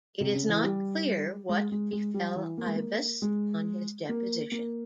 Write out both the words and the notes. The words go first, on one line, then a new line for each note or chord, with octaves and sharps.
It is not clear what befell Ibas on his deposition.
C3
C#3
E3
G3
G#3
G#3
G#3
G3
E3
A#3
G#3
A#3
G#3
A#3
A#3